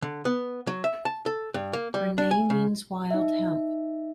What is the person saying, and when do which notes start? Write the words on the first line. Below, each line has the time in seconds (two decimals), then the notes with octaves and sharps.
Her name means "wild hemp".
0.02 D3
0.25 B3
0.67 F#3
0.84 E5
1.05 A5
1.26 A4
1.54 G2
1.73 A#3
1.94 G3
2.18 D4
2.31 G#5
2.50 C#3
3.11 D#4 E5